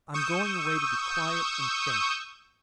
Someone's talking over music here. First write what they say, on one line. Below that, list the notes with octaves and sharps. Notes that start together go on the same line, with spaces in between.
I'm going away to be quiet and think.
C#6 D#6 E6 G6